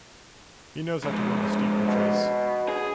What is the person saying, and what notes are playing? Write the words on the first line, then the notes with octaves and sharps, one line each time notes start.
He knows how to win the steeplechase.
F2 G#2
B2
G#4